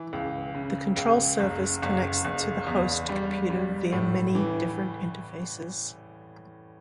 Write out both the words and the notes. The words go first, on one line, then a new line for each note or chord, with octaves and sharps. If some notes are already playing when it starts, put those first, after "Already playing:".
The control surface connects to the host computer via many different interfaces.
Already playing: E3
C#2
C#3
C#2
F#1
F#1
F#1
E2
G3
G3
A2
E3